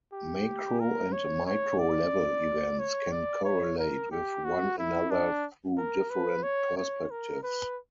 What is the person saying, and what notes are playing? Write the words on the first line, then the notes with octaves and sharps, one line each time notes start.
Macro and Micro level events can correlate with one another through different perspectives.
G4
A#4
C#5
C#5
D5
C#5
D5
C#5
A#4
G4
F#4
E4
D4
A#4
B4
C#5
C#5
A#4
B4